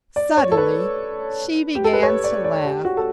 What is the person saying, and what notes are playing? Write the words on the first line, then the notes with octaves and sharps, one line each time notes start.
Suddenly she began to laugh.
D5
C#5
A4
B4
G4
A4
B4
C#5
D5
D5
G4
F#4
A4